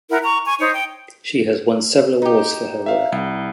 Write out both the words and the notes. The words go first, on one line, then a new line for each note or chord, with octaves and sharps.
She has won several awards for her work.
E4 A#4 F#5
A#5 C#6
G#5 C#6
D#4 C5 C#5
G5
D#4 G4
E5 F5
C2